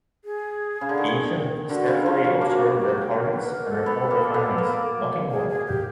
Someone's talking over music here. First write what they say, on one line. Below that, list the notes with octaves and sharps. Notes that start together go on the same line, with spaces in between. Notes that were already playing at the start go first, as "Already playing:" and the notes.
Agents stealthily observe their targets and report their findings, nothing more.
G#4
C#3
D3
D#3
D3 F#4
C#3
F3 F4
F#3
A#3 F#4 G4
G4
A#4
B4
A#4
A4
B3
A#3
B3
A#3
G#4
G#4
G4